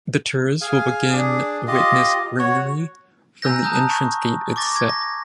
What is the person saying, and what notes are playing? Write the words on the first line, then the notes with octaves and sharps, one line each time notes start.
The tourists will begin witness greenery from the entrance gate itself.
G#4 F5 G#5
D4 G#4
F4 G4 D#5
F#4 C#5
G#5 A#5 E6 F#6 G6 A#6
A5 A#5 D#6 F#6 G6
C#6
C#6 D6 A6 A#6
G#6
A#6